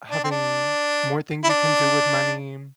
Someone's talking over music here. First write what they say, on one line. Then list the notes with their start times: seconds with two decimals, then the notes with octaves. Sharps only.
having more things you can do with money,
0.11 D4
0.24 C4
0.31 D4
1.44 E4
1.50 D4